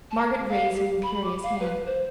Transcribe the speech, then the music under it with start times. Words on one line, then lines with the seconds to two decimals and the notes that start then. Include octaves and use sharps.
Margaret raised an imperious hand.
0.11 A5
0.25 A#4
0.49 F5
0.75 G4
1.02 B5
1.24 D6
1.43 F5
1.60 B4
1.86 C5